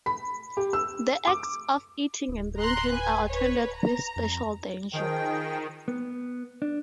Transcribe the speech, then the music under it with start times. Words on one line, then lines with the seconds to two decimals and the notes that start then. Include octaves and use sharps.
The acts of eating and drinking are attended with special danger.
0.06 B5
0.57 G4
0.73 E6
1.27 D6
2.28 D1
2.58 A#5 C6 F#6
2.93 B4 G#5
3.30 B4 C#5
3.75 A#5
4.16 F2
4.93 D#3 F3 G#4 G5
5.88 B3
6.62 D4